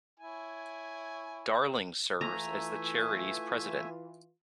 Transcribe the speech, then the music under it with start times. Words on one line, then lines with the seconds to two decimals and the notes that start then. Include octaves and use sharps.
Darling serves as the charity's president.
0.20 E4 C#5 G#5
2.21 E3 A3 F4 E5 G#5 A#5